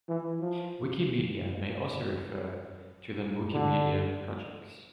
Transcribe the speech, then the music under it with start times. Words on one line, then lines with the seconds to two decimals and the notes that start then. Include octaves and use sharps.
"Wikimedia" may also refer to the Wikimedia projects.
0.09 E3
0.41 F3
3.53 D3